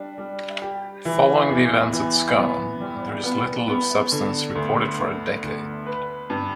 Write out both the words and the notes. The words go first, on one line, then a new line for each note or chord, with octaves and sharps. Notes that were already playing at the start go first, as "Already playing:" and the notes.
Following the events at Scone, there is little of substance reported for a decade.
Already playing: G3 D4
G3
G4
E3
E2
E3
B3
G3
B3
B3
D3
D2
D2
D2
B4
G2